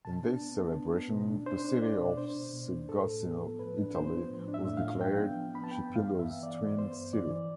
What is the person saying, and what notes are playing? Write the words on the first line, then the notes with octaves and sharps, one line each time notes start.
In this celebration the city of Segusino, Italy, was declared Chipilo's Twin city.
B2 A5
D4
B3
B3
D4
B3
B2
D4
D4 C5
D4
D4 D5
B2
D4 C5
B2
B2
D4
A2 A4
A2
B3
F3
A2 B4
D4
B3 C5
F3
A2
D4
E5
A2
F5
F3
D4 G5
B3
F3
B3 B5
A5
B3 G5
G2
F5
E3
E5
B3
E3 D5
G2
B3 C5
G2
E3 D5
E3